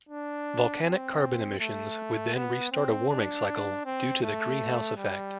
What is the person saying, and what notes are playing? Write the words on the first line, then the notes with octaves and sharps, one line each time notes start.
Volcanic carbon emissions would then restart a warming cycle due to the greenhouse effect.
D4
C4
A3
B3
C4
D4
C4
A3
G3